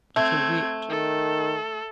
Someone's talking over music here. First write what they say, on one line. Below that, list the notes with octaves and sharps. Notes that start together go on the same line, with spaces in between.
"Not a whit."
A3 C4 G#6
D#3 A4